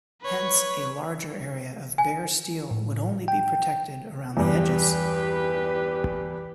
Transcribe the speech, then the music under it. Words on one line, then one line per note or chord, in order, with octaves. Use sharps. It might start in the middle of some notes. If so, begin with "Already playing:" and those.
Hence, a larger area of bare steel would only be protected around the edges.
B4 C#5
G#5
A2
G5
E2 G2 G4 B4